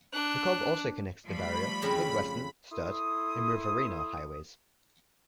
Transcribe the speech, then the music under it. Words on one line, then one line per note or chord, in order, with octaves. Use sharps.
The Cobb also connects the Barrier, Mid-Western, Sturt, and Riverina highways.
D4 F#6
F3 G3 A3 B5
F2 C#3 A#5
E4 A4 C6 D#6